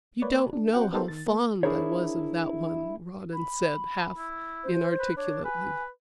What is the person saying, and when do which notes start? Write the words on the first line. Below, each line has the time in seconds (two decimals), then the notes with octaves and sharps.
"You don't know how fond I was of that one," Rawdon said, half-inarticulately.
0.22 A#3 B4 C#5 D5
0.53 D4
0.73 C4 F#4 F#5 G5
0.93 B3 D#4 G4 A4 A#4 C5
1.08 D#3 A6
1.27 A#3
1.63 D4 E4 G#4 A#4 C5 C#5
3.33 B5
4.18 E4
4.64 C5
5.00 B4
5.17 D4 C#5
5.45 B4 G#5